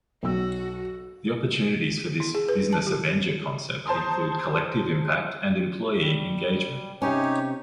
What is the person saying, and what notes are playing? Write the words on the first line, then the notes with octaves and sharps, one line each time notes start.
The opportunities for this "business avenger" concept include collective impact and employee engagement.
B1 F#4 E6
E4
G#4
B4
A5
G4
C5 A5 A#5 C6 D#6
G3
C3 C4 C#4 D#4 G4 C#5